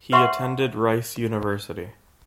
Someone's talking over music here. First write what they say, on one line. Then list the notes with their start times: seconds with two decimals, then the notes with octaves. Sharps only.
He attended Rice University.
0.12 B4 C#5 E5 F#5 C6 C#6